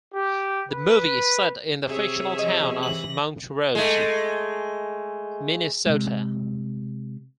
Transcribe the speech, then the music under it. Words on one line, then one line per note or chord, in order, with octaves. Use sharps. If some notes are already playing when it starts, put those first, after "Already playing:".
The movie is set in the fictional town of Mount Rose, Minnesota.
G4
B4
C3 G#4 C#5 E5
F3 D#5
E3 A#6 F#7
G#3 A3
C3 G#3